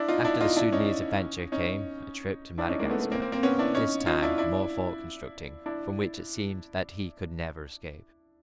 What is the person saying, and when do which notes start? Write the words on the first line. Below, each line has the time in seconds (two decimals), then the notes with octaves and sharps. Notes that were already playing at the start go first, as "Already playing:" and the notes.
After the Soudanese adventure, came a trip to Madagascar--this time, more fort constructing, from which it seemed that he could never escape.
Already playing: D4 E4
0.08 D#4 F4
0.24 D4 E4
0.41 D#4 F4
0.57 D4 E4
0.72 C#4 D#4
1.52 C#4 D#4
2.58 D4 E4
2.69 C#4 D#4
2.79 G#3 A#3
2.90 A3 B3
3.00 A3 B3
3.11 A#3 C4
3.22 A#3 C4
3.32 A#3 C4
3.43 B3 C#4
3.59 D4 E4
3.75 C#4 D#4
4.06 D#4 F4
4.23 D4 E4
4.38 D4 E4
5.66 D4 E4